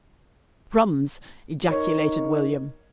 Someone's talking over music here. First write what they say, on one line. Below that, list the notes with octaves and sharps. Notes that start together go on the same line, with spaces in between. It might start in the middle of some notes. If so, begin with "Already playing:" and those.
"Crumbs!" ejaculated William.
D#4 A#4 C#5